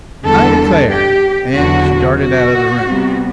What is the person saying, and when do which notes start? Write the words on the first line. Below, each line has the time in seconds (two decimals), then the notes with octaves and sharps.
"I declare!" and she darted out of the room.
0.25 E2 D3 G3 A4
0.90 G4
1.55 E2 D3 F#3 F#4
2.20 F#4
2.85 C3 G3 B3